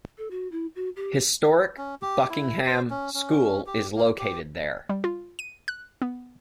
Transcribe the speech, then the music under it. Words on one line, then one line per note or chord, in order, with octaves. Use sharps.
Historic Buckingham School is located there.
A4
F#4
E4
F#4
G4
C#4
G4
E4
C5
C#4
C#4
G4
A#3
G4
G3
F4
D#7
F#6
B3